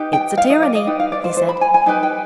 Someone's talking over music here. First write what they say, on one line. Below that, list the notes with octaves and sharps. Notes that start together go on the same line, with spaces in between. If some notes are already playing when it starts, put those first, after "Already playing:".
"It's a tyranny," he said.
Already playing: D#4 G4 B4
G5
F5
D#5
D5
D#5
D#4 G4 B4 D#5
F5
D5
C5
C5
B5
G#5
G#5
D#4 G4 B4 G#5
G5